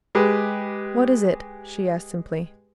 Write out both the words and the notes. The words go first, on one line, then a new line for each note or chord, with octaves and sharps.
"What is it?" she asked simply.
G#3 G4 B4